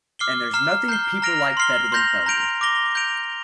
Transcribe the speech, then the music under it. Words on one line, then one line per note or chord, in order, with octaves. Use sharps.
And there's nothing people like better than failure.
D6 F6 C7 G7
A#5 F6 C7
A#5 G6 C7 G7
A#5 F6 A#6 D7 F7
C6 F6 C7 G7
C6 G6 A#6 F7
A#5 G6 D7 F7
D6 A#6 G7
G6 D7 F7